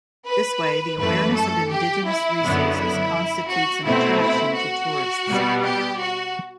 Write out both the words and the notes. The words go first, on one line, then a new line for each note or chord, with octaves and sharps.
This way, the awareness of indigenous resources constitutes an attraction to tourists.
B4
F#2 E3 A3 B4
A4
G4
E4
F#2 D3 F#3 B3
E4
F#4
B2 A3 C4 E4
E4
F#4
B2 G3 B3
G4
F#4